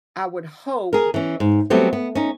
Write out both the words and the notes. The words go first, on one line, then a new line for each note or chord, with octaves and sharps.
I would hope
G#4 A#4
E3 C#4
G#2
F#3 G3 A3 B3 C4 G4
B3
C#4 D#4